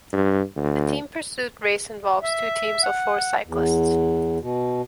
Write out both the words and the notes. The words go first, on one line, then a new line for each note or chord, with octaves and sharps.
A team pursuit race involves two teams of four cyclists.
G2
D2
E5
F#5
E2
B2